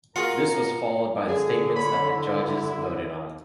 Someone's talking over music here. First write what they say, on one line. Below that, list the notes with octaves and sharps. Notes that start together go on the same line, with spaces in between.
This was followed by the statements that the judges voted on.
F4 F#4 G#4 A#4 A#5 C#6 C#7
D3 G#4
C#5 B5
E4